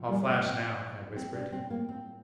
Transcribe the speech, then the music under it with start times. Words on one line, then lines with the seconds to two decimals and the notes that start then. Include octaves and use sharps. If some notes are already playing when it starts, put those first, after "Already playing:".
"I'll flash now," I whispered.
Already playing: A2 F3
0.08 G3
0.26 A3
0.44 C4
1.16 C4
1.34 D4
1.52 C4
1.70 A#3
1.89 C4